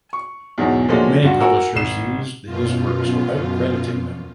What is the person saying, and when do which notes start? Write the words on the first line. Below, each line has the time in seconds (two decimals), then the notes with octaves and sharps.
Many publishers used his works without crediting them.
0.13 C#6
0.58 E2 G#2 B2 F#3
0.88 A#2 D3 F3 F#3 G#3 A3
1.22 G2 F4 F#4
1.40 F#4 A#4 G#5 E6
1.75 G#1 C7 E7
2.45 F#2 B2 F4